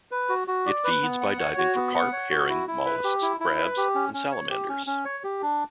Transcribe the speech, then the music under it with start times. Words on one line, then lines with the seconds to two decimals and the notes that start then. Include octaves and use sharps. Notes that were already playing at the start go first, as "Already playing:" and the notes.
It feeds by diving for carp, herring, mollusks, crabs, and salamanders.
0.11 B4
0.29 F#4
0.48 F#4
0.66 D5
0.84 B4
1.03 B3
1.21 F#5
1.39 C#5
1.58 F#4
1.76 B3
1.94 F#5
2.12 C#5
2.31 F#4
2.49 E4
2.68 E4
2.86 B4
3.04 G4
3.22 E4
3.40 E4
3.59 B4
3.77 G4
3.95 C#4
4.14 C#4
4.32 C#5
4.50 G4
4.69 C#4
4.87 C#4
5.05 C#5
5.24 G4
5.42 D4